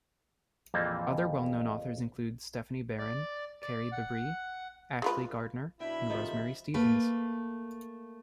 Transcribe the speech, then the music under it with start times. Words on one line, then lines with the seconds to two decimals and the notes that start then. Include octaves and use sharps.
Other well-known authors include: Stephanie Barron, Carrie Bebris, Ashley Gardner, and Rosemary Stevens.
0.74 A#1 F2 E3 A#3 C4 A5
2.99 D5
3.63 D5
3.92 F#5
5.02 G#3 F4 B4
5.80 B2 D4 E4 E5 G5 B5
6.10 D2 C3 D#3 F3 D#4
6.74 A3 A#3 B4